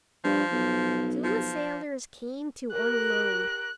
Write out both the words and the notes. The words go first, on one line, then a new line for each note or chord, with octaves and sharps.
Soon the sailors came to unload.
G2 F3
B1
F3
G4 A#4 F#6